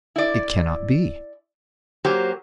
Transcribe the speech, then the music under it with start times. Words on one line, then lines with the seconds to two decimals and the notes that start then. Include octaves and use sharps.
"It cannot be!"
0.16 E4 D5
2.05 F#3 A#3 G4 C5